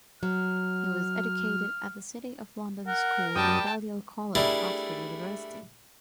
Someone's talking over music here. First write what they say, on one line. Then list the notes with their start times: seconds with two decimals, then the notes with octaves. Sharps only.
He was educated at the City of London School and Balliol College, Oxford University.
0.23 F#3 F6
2.87 A#4 F#5
3.35 F#2 G3 G5 A5 D#6
4.35 G3 A3 D4 E4 G#4 A#4